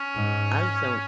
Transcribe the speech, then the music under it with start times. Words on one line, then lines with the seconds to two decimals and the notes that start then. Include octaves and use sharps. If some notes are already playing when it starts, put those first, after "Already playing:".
I just don't
Already playing: C#4
0.15 G#2